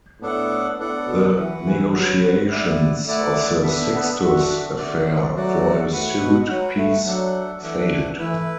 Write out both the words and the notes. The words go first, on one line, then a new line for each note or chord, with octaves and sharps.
The negotiations of the Sixtus Affair for a sued peace failed.
A2 B3 D4 A4 F#5
A2 B3 D4 A4 F#5
B2
E3 F#4 B4 F#5
E3
F#3 F#4 B4 F#5
A3 E4 D5 F#5
A3 E4 D5 F#5
B3 D4 A4 E5
B3
D4 F#4 A4 E5
A3 F#4 D5 F#5
F#3 A3 F#4 D5 F#5
A2 F#4 B4 F#5
B2
F#3 F#4 B4 F#5
A3
F#3 A3 D4 A4 F#5
E3 A3 D4 A4 F#5
E3 A3 E4 B4